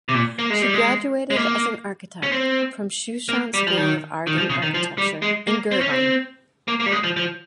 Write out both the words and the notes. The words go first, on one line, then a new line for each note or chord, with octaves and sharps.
She graduated as an architect from Sushant School of Art and Architecture in Gurgaon.
C3
A#2
A#3
G#3
G3
G#3
G#3
A#3
C#4
C4
A#3
G3
F3
D#3
D#3
F3
C#3
D#3
F3
G3
G#3
A#3
C4
C#4
C4
A#3
A#3
G3
G#3
F3
F3